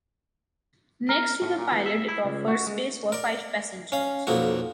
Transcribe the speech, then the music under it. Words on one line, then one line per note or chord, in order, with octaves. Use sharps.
Next to the pilot it offers space for five passengers.
A#4
A2
A#2
E2
E5
E4
C#2
F#4
G#3
A#4 D5
C#4 F5
B1 F2 A#3 F#4